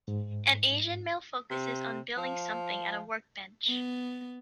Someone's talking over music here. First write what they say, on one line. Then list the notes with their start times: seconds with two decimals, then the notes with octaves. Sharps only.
An Asian male focuses on building something at a workbench.
0.08 G#2
1.50 C3
2.17 F3
3.67 B3